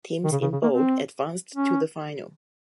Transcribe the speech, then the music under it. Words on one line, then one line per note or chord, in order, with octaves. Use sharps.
Teams in Bold advanced to the final.
D#3
C#3
C#3
C#3
A#3
C4
C#4